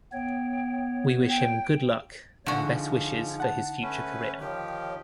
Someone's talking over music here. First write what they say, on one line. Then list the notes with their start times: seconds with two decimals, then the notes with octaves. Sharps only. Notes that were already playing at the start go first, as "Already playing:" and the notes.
We wish him good luck and best wishes for his future career.
0.12 B3 C#5 G5
1.29 G5
2.46 G#2 D3 F3 D#4 F#4
3.40 F#5 A5
3.83 A3 C#4 B4
4.40 D#3 F3 G4 C#5